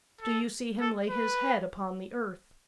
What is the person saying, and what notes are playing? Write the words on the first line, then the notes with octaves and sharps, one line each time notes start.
Do you see him lay his head upon the earth?
A4
A4
B4